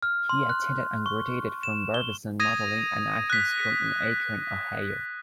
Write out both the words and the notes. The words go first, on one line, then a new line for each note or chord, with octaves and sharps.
He attended and graduated from Barbizon Modeling and Acting School in Akron, Ohio.
F6
C6
F#6
C#6
E7
G7
D#6 G#6 A#6 D#7
F#6 B6